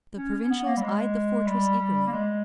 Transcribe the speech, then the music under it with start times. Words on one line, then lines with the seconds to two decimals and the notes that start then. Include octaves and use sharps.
The Provincials eyed the fortress eagerly.
0.17 C#4
0.42 C#4
0.50 B3
0.66 A#3
0.77 G3
0.82 G#3
1.46 G3
1.79 G3
2.06 A#3
2.11 G#3